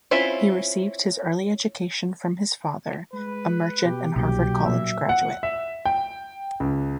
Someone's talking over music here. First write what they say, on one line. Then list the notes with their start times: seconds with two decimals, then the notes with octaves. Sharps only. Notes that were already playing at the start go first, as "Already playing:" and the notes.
He received his early education from his father, a merchant and Harvard College graduate.
0.11 C4 C#4 E4 F4 E5
3.13 G#3 B4
3.84 B2 G4
4.16 C2 B2 F#3 A#3 D4 G4
4.66 A#2 E5
5.09 F#5
5.43 E5
5.85 G5
6.60 C#2